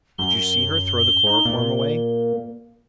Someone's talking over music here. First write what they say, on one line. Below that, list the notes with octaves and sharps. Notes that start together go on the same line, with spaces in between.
"Did you see her throw the chloroform away?"
F#2 G7
D#4
A#2